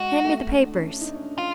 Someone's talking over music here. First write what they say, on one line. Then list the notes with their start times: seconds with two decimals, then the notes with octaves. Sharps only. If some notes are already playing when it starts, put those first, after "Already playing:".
Hand me the papers.'
Already playing: G#3 F#4
0.24 A3
0.62 D4
0.75 C#4
0.87 D4
1.01 D#4
1.08 D4
1.15 C#4
1.22 D4
1.38 F4